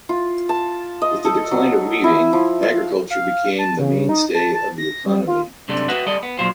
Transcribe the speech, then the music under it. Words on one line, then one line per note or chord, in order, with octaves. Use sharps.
With the decline of weaving, agriculture became the mainstay of the economy.
F4
A5
D#5
A4
F#3
E4
F3
F5
F5
A5
C#3
D#4
A5
A5
A#6
G3
F4
C2 F#2 C3 A3 D4 A4
F#4 B4 D#5 E5 F#5
G3 A4 D5 D#5
B3
A#2 F3 F#3 F4 C5